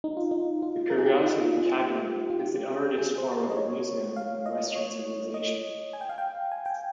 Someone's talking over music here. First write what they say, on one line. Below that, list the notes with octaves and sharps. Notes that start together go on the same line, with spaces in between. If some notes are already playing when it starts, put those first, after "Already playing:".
The curiosity cabinet is the earliest form of a museum in Western civilization.
D#4
F4
D#4
F4
A#4
G#4
G4
F4
D#4
F4
D#4
F4
G4
F4
G4
G#4
C5
A#4
D#5
C#5
F5
D#5
D#5
C#5
D#5
G#5
G5
F5
G5
G#5
G5